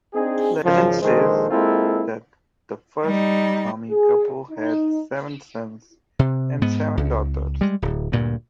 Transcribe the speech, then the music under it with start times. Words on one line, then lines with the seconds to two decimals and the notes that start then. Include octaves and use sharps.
Legend says that the first Thami couple had seven sons and seven daughters.
0.13 C4 D4 D#4 G#4
0.64 G#1 C#3 F3
1.02 A#1 D#3 G#3 A4 C5
1.50 G#3 A#3 C4 E4 F4 A4
3.05 G3 D#4
3.90 G#4
4.51 D#4
6.19 C3
6.62 G#2 B3
6.97 C#2
7.61 G3 G#3
7.82 D1
8.12 D2 G2 A#2